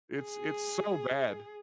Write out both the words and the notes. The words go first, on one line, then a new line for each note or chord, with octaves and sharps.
It's it's so bad.
G#4